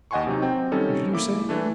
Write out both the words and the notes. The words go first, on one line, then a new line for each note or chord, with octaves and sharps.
"What did you say?"
D#2 D#5 F#5 G#5 C6 C#6
C3 F#3 D#4
C4 G5
D#3 G3 C#4 D#4 A4
A#3 E4 D6
E3 A3 D4